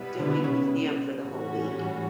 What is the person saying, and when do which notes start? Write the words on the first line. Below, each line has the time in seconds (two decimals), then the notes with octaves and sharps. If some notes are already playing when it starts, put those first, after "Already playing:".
doing museum for the whole week.
Already playing: B2 G3 B3 E4 B4
0.19 D3
0.44 C#3
1.20 A2 E3 G3 C#4 F#4